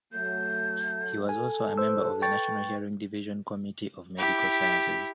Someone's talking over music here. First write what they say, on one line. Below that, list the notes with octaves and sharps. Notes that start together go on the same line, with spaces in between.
He was also a member of the National Hearing Division Committee of Medical Sciences.
F#3 A3 G6
A4 G#5
B4 C5 E6
G5 C#6 A6
E4 G4